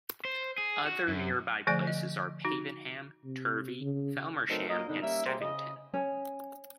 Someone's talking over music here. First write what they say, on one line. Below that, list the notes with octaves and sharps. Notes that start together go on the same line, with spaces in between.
Other nearby places are Pavenham, Turvey, Felmersham, and Stevington.
C5
G#4
F#4
F#2
D3 F3 A3 D5 G#5
D#5
D#4 F#4
C3
C#3
F#3 A3 C4 D#4 A#4 B4
F#3 A#3 F4 D#5
F#2 B2 D3 D4 D#4
G3 A#3 C#4 E5
G3 A#3 G4 G#4 C5
C#3 D#5
C#4